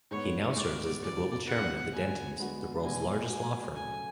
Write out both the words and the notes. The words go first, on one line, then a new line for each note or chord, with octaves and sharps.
He now serves as the global chairman of Dentons, the world's largest law firm.
G#2 G#3 B3 C#5
G#2 G#3 B3 D5
E2 C#3 E3 B3 E4 D5
E2 C#3 E3 B3 E4 F#5
D3 G#3 B3 F#4 G#5
D3 G#3 B3 F#4
B2 G#3 D4 F#4 G#5
B2 G#3 D4 F#4 G#5
C#3 F#3 A3 G#5